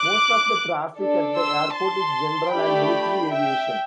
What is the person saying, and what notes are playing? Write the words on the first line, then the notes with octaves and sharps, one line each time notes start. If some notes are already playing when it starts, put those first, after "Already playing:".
Most of the traffic at the airport is general and military aviation.
Already playing: D6 F#6
D4 A4
C6 E6
A5 C6
A3 D4 G4 G5 B5
E5 G5